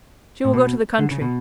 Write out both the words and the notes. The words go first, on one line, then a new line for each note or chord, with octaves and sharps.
"She will go to the country."
A2
B2
D3
C#3
B2